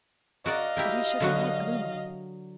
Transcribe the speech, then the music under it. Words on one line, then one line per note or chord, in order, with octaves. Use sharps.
But he shook his head gloomily.
F#4 A#4 D5 D#5 F5
E4 G4 A#4
D3 F#3 F#4